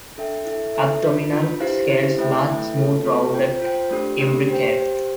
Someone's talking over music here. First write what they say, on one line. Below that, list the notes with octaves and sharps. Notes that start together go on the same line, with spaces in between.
Abdominal scales large, smooth, rounded, imbricate.
D4 A4 E5 G5
E4 A4 E5
E4 A4 E5
D4 F4 B4
D4 F4 B4
E4 G4 C5 F5
E4 G4 C5 F5
A3 E4 B4 E5 G5
A3 E4 B4 E5 G5
A3 C4 F4 A4
A3 C4 F4 A4
F4 C5 G5
F4 C5 G5
A3 D4 G4
A3 D4 G4
G4 C5 G5
G4 C5 G5